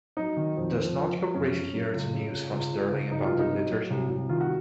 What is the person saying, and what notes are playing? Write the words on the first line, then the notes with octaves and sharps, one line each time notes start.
Does not your Grace hear the news from Stirling about the liturgy?
F#3 D#4
D#3
F2
F3
F3
F3
F#2 C#4
F#2
F#2
C#2
C#3
C#2
C#2
C#2
C#2
F#3 D#4
F4
C2
D#4
F#3
F#3
C2
C2
D#3 F4
F#4